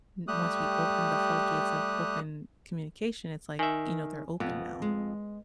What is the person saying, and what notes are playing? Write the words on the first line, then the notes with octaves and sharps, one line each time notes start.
n once we open the floodgates of open communication, it's like, you know, they're open now,
G3 A3 G4 D#6 F#6
D#3 E5 G#5
F2 B3
G#3